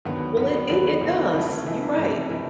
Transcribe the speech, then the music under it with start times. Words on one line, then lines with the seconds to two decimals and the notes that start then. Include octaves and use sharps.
Well, it it does, you're right.
0.05 D#2 D3 F#3 B3
0.37 D#2 D3 F#3 B3
0.69 D#2 D3 F#3 B3
1.01 D#2 D3 F#3 B3
1.33 C#2 C3 E3 A3
1.66 C#2 C3 E3 A3
1.98 C#2 C3 E3 A3
2.30 C3 E3 A3